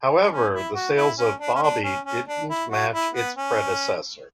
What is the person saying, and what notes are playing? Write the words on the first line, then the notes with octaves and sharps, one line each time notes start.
However, the sales of "Bobby" didn't match its predecessor.
D4
C#4
E4
F#4
E4
C#4
D4
C#4
D4
C#4
C#4
D4
E4
F#4
E4
B3
C#4